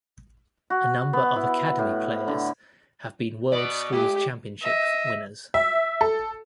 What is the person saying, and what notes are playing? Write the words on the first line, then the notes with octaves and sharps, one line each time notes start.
A number of Academy players have been world schools' championships winners.
F#4
B3
E4
A2
D3
B2 B3 D5
G#3 G4
D#5 E5
E5
A4